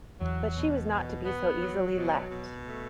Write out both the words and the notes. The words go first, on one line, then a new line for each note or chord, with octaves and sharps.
But she was not to be so easily left.
E2 F#3
B2
B2
B3
F#3
B2
B2
A3